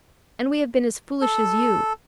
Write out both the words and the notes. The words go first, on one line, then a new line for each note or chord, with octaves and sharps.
And we have been as foolish as you.
A4